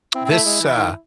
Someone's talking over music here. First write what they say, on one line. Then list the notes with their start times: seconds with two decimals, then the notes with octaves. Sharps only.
This, uh
0.14 C4 E4
0.25 C4
0.30 A3
0.46 G#3
0.61 E3
0.75 D#3